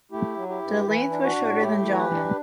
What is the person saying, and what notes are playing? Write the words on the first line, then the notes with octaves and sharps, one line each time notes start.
The length was shorter than Jama.
A3 E4 G4
F#3
E4 G4
G2
E3 E4
D4
D4 F#4
A2
A3 E4 G4
E3
G4 B4
D4